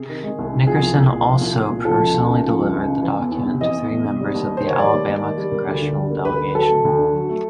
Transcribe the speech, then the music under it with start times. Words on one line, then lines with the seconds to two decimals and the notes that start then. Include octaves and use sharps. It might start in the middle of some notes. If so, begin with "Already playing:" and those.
Nickerson also personally delivered the document to three members of the Alabama congressional delegation.
Already playing: C3 G#4
0.09 D#3
0.24 G#3
0.39 C2
0.53 C3
0.67 F3 G#4
0.82 C2
0.97 C2
1.11 A#2
1.26 F3
1.41 C2
1.56 C2
1.70 A#2
1.85 F3 A4
2.00 C#2
2.14 C#2
2.30 C#3
2.44 F3
2.59 C#2
2.73 C#2
2.88 C#3
3.03 E3
3.17 E2
3.32 E2
3.46 C3
3.61 E3 D#5
3.76 E2
3.91 E2
4.05 C3
4.20 G3
4.34 D#2
4.50 D#2
4.57 C5
4.63 D#3 C#5
4.79 G3 D5
4.94 D#2
5.08 D#2
5.23 D#3
5.37 G3
5.51 A#3
5.67 D2
5.82 D3
5.96 G3
6.10 A#3
6.25 D2 B4
6.40 D3
6.54 F#3 A4
6.69 A3
6.85 D2
6.98 D3
7.13 F#3
7.29 A3